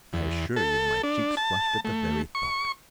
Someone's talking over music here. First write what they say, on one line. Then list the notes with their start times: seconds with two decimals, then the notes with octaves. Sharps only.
I assure you my cheeks flushed at the very thought.
0.13 E2
0.56 A4
1.03 D4
1.37 A5
1.85 A3
2.35 C#6